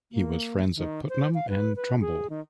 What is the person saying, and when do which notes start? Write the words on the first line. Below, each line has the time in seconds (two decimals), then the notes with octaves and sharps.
He was friends of Putnam and Trumbull.
0.12 A#3
0.76 D#3
1.09 C5
1.34 F5
1.49 B4
1.76 B4
2.01 G#4
2.30 D#3